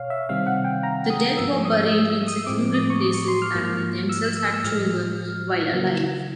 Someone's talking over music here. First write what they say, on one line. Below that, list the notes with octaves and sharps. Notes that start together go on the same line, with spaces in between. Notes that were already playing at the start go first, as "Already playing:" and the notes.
The dead were buried in secluded places that they themselves had chosen while alive.
Already playing: B2 C#5 F5
E5
C3 D#3 G3 C4 F5
F#5
G5
A#5
D#6
G#2 F3 A#3 E6
D#6
E6
E6
D#6
A2 F3 G#3 C4 D6
D#6
C#6
D6
C#6
C6
F6
G#2 F3 A#3
E6
E6
E6
A2 F3 G#3 F6
C#3 F#3 A#3